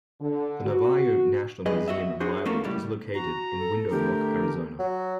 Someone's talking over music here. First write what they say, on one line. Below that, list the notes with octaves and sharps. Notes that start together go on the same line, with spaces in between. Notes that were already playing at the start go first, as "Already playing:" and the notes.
The Navajo Nation Museum and Library is located in Window Rock, Arizona.
D3
F#4
G2 G#4 B4 D#5
F#4 D#5 E5
D4 F#4 G#4 C5
A3 A#3 C#4 F#4 A4 A#4
C#2 A2 G3
F#4 A#5
A4
D3 A3 G4 A#4
F#3